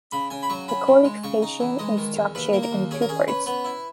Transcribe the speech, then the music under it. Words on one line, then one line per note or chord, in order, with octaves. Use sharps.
The qualification is structured in two parts.
C#3 B5
C#3 G#5
B5
F#3 C#6
C#4 B5
C#3
G#3
C#3 C#6
D#4
E3
G#3 D#5
D#3
E2
D#2 B4
A#3
A#4
D#2
C#4 G#4
A#4
C#4 G#4
C#4 B4
B3 B4
E4